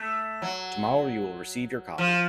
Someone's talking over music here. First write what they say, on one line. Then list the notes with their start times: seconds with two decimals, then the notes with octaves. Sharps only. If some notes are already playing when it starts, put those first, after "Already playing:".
Tomorrow you will receive your copy.
Already playing: A3
0.42 F#3
1.98 F3